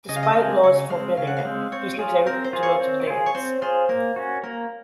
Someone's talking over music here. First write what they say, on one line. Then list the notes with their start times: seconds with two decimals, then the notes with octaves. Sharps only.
Despite Lois forbidding it, he sneaks out to go to the dance.
0.09 C#3 D#5
0.16 F5
0.23 D#5
0.36 G#3 C4
0.63 C#3 C#5
0.90 G#3 C4 F5
1.17 C#3 F5
1.27 F#5
1.37 F5
1.45 G#3 C4
1.72 C4 C#5
1.99 F4 G#4
2.26 C4 A#4
2.44 C5
2.53 F4 G#4
2.63 C#5
2.80 C4
3.07 F4 G#4
3.26 C#5
3.35 C4 C5
3.62 F4 G#4 C5
3.89 A#3 A#4
4.16 C#4 F#4
4.43 A#3 A#4